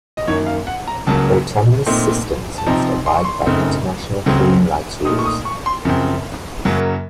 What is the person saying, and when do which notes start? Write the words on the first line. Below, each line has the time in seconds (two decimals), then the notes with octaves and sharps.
Autonomous systems must abide by international human rights rules.
0.17 D#5
0.27 F#2 D#3 A#3 C#5
0.46 F5
0.67 F#5
0.88 A#5
1.07 C#2 C#3 F#3 A#3 A5
1.87 A#2 A3 C4 D#4
2.58 A5
2.66 C3 F3 C4 D#4 A#5
3.06 C6
3.16 C#6
3.25 C6
3.46 F#2 C#3 A3 C4 D#4
4.26 C#2 C#3 F#3 A3 C4
5.05 A#2 A3 D#4 D#6
5.19 C#6
5.26 D#6
5.45 C#6
5.66 C6
5.85 F#2 C#3 F3 C4
6.65 F#2 C#3 F#3 A#3